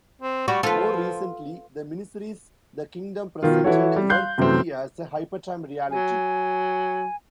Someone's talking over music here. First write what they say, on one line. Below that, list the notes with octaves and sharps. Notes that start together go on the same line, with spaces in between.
More recently, the miniseries "The Kingdom" presented Earth-C as a Hypertime reality.
C4
G3 F#4
F3 F4 A4 B4
B2 D#3 F4
E3 E4 F#4 A4 C#5
G3
F5 C6 F#6 G6 C7
F#2 C3 E3 A3 C4
F#3 G#5